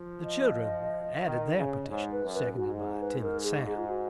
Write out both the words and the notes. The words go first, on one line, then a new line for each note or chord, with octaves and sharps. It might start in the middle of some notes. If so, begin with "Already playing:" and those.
The children added their petitions, seconded by Tim and Sam.
Already playing: F3
D#5
D#3
C#3
D#5
G#2 C#5
B4
F#2
B4
G#2 F#4
G#4
B4
A#4
G#4
G#4
F4
F#4